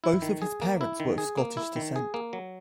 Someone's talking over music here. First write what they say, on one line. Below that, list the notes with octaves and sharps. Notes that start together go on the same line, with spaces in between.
Both of his parents were of Scottish descent.
E4
D#3
G#4
A#3
E4
D#3
G#4
A#3
E4
D#3
G#4
A#3
F#3